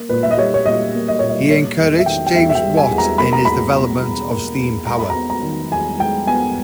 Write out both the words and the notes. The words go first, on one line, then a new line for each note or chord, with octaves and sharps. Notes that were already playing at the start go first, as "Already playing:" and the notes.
He encouraged James Watt in his development of steam power.
Already playing: A#3
A#2 B4
E5
D#5
G3 C#5
C#5
A#2 D#5
A#3
D#5
A#2 C#5
D#5
G3 C#5
E2 D#5
E5
D#3 G5
G5
E2 E5
E5
G5
G3
G#5
E2
A#5
A#3 B5
A#5
E2 B5
B2
E2
A#3
E2
G#3 A#5
B5
A#5
B3
A#5
D#3
E2 G#5
G#3 G5
B3 G#5